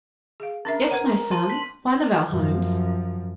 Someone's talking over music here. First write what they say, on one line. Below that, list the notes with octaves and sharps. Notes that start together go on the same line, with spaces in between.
"Yes, my son, one of our homes."
G#4 F5
C#4 D4 A#4 E5
B4 C5 F#5
C5 A5 C6 D#7
B6 F#7
F#2 F3